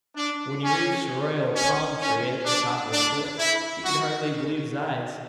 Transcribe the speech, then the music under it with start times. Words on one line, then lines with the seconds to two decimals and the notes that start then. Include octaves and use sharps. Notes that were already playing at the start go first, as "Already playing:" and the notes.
When he reached the royal palm tree at the top of the cliff he could hardly believe his eyes.
0.16 D4
0.62 C#4
1.54 C#4
2.00 C#4
2.46 D4
2.92 D4
3.38 E4
3.84 F#4